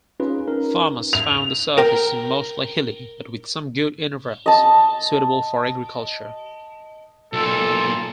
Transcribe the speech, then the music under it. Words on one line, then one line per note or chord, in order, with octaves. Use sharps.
Farmers found the surface mostly hilly, but with some good intervales suitable for agriculture.
C#4 D#4 F4 G#4 B4
C#4 D#4 A#4
F7
A#4 G5
D#5 A5
B1 A#2 A4